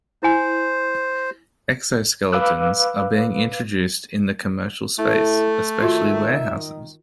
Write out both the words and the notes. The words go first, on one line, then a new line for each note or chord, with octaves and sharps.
Exo-skeletons are being introduced in the commercial space especially warehouses.
E4 C5 G#5
B4 F5 B5 D6 E6 F#6
A3 E4 A4
D#3 F4 F#4 E5